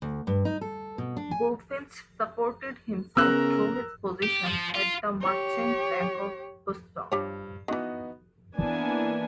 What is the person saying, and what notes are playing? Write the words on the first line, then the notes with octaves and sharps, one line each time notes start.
Bulfinch supported himself through his position at the Merchants' Bank of Boston.
D2
G2
D#4
A4
B2
D4
G#5
C#3 B3 A#4 A#5 E6 F#6
G4
F3
F4
G4 C#5
G2 F3 G4 C#5
D#3 E3 B3 D#4 F#4
E3 A#3 B3 D4 G#5